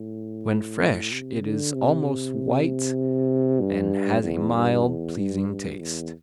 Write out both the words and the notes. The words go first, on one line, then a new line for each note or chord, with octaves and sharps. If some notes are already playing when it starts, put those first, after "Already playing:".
When fresh it is almost white and has a mild, pleasing taste.
Already playing: A2
C3
D3
C3
G2
E2
G2
E2
G2
G2
E2